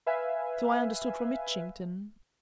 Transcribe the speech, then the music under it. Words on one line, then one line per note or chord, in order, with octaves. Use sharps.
"So I understood from Mitchington."
B4 E5 F5 G#5